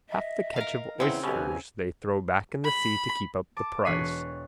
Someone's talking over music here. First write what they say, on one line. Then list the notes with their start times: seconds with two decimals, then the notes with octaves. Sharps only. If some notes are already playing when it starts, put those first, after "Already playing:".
Half the catch of oysters they throw back in the sea to keep up the price.
0.10 D#5 E5
0.56 A#4 F5
1.00 E2 C#3 C4 E4
1.24 B1 B2 G4 G#5
2.65 B5
3.57 A5 D6
3.85 E1 C#5 F#6 B6 C7 D#7